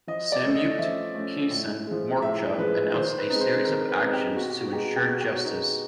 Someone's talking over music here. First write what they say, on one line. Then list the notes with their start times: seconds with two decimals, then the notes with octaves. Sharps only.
Samyukt Kisan Morcha announced a series of actions to ensure justice.
0.07 F3 D#5
0.32 D5
0.43 A3 C#4
0.55 D#5
0.79 F3 E5
1.15 A3 C#4
1.51 A2
1.87 F3 G#3
2.22 A2 E5
2.58 F3 G#3 B4
2.94 D#3 C5
3.18 B4
3.30 G#3 C4 D#4
3.41 C5
3.65 D#3 A#4
3.82 C5
3.89 B4
4.02 G#3 C4 D#4
4.13 G4
4.37 B2 F#4
4.49 G4
4.61 F#4
4.72 G#3 B3 D#4 G4
4.84 F#4
4.96 G4
5.08 B2 F#4
5.21 G4
5.32 F#4
5.44 G#3 B3 D#4